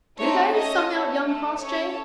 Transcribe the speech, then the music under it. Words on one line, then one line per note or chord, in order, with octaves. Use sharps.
"Do they?" sung out young Crossjay.
A3 C4 D#4 F#4 C#5
C#4 A4 D#5
C#4 F#4 A4
A3 D#4 A4
C#4 A4 C#5